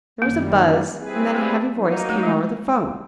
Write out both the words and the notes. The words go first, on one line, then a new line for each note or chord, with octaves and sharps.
There was a buzz and then a heavy voice came over the 'phone.
F#2 D#3 G3 A#3
G3 C4 E4 G#4 B4
A3
F#3 A#3 D#4
A3
G#3